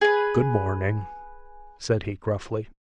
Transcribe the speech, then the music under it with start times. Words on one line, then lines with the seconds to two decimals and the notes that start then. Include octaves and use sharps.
"Good morning," said he gruffly.
0.01 G#4 B4